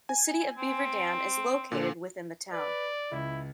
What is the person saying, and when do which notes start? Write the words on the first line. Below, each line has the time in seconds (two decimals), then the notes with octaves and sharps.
The City of Beaver Dam is located within the town.
0.09 G#5
0.57 C4
1.72 A#2 D3
2.53 B4 D5
3.12 C#2 E4